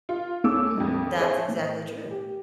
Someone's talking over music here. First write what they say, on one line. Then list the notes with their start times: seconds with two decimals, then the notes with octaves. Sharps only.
Mhm, that's exactly true.
0.09 F4
0.44 E2 A3 C#4 D6 E6
0.77 A#1 F2
1.19 G#4 C5 C#5 E5 A5
1.49 A2
2.11 G4